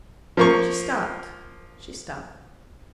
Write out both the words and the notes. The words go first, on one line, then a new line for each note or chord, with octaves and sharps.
She stopped, she stopped.
F3 A#3 C#6